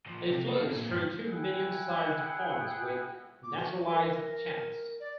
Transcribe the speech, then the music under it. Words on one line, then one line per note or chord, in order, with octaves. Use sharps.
It flows through two medium-sized ponds with naturalized channels.
A#2 F3
C3
A4 F5
A#2
G2
E4 G#4 F#5 G5
D6
F#4
A#4
D5